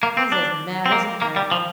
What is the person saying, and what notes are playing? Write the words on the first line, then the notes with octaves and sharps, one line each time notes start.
He's as mad as a hatter.'
A#3
C4
D4
C4
A#3
A#3
G3
F3